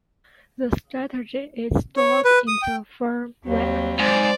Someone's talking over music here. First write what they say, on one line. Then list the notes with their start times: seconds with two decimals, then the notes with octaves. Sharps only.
The strategy is stored in the firmware.
1.97 C#5
2.25 B4
2.48 D#6
2.62 G5
3.45 D#2 F#3 G3 C4
3.99 G#2 C5 D5